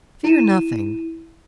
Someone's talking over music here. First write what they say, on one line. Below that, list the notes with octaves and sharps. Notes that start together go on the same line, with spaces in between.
'Fear nothing.
E4 D#7 E7